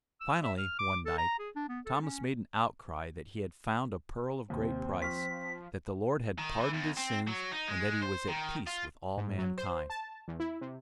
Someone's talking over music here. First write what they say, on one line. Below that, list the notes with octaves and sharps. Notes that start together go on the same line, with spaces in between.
Finally, one night, Thomas made an outcry that he had found a pearl of great price, that the Lord had pardoned his sins, and that he was at peace with all mankind.
E6
E5
F6
D6
A4
A#5
G#4
D4
B3
A4
C#4
D#2 C3 C4
F3 C6 C#6 F6 B6
D#3
E3
E2
C4
F#3
D#4
G#3
C5
D#3
F4
G#2
F#3
C5
A5
E2
E4
C3